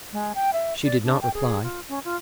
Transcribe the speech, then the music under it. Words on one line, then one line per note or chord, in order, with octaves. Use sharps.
She did not reply.
G#3
G5
E5
D5
D4
G5
G#4
F4
C#4
F4